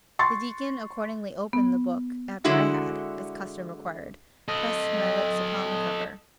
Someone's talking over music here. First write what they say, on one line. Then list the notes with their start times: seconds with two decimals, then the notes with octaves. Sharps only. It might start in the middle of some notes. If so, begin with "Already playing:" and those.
The deacon accordingly opened the book, after I had, as custom required, pressed my lips upon the cover.
0.19 C6 C#6 A6
1.53 B3
2.45 D3 G#3 E4 F#4
4.48 A4 D#5